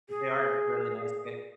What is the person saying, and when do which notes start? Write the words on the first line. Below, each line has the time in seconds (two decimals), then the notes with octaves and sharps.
but they are really nice kicks.
0.09 G#4